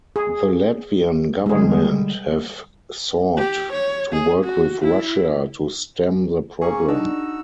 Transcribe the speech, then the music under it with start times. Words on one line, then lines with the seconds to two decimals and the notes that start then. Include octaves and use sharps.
The Latvian government have sought to work with Russia to stem the problem.
0.16 G#4
1.46 D3 G3 G#3 G#4
3.37 G4
3.72 C#5
4.13 G#4
4.43 F#4
4.82 E4
6.62 A#3 C#4 G#4 C#6
6.88 D4 D#4 F#4 E6